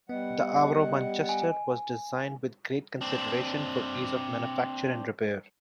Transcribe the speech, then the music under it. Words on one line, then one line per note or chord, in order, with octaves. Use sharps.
The Avro Manchester was designed with great consideration for ease of manufacture and repair.
G3 B3 D#5 F#5
G#5
C4 D4